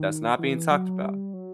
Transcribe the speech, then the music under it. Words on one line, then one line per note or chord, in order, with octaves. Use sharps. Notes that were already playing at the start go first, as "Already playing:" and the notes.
that's not being talked about.
Already playing: D#3
E3
F#3
G3
F#3